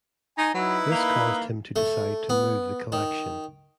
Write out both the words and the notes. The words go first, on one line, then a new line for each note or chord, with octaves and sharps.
This caused him to decide to move the collection.
D#4 G#5
F#3 D#4 E4 B4
A#3
A3
B3
D#3